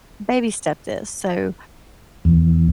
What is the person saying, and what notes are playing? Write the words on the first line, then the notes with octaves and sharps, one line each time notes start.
baby-step this." So,
E2